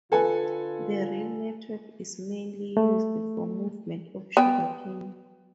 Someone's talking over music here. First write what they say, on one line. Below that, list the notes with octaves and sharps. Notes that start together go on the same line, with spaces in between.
The rail network is mainly used for movement of sugar cane.
D3 F4 A4 B4 G#5
A3
B3 G5